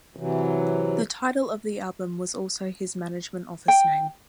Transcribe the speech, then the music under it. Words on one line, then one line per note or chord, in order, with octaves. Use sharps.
The title of the album was also his management office name.
C3 E3 F#3
G5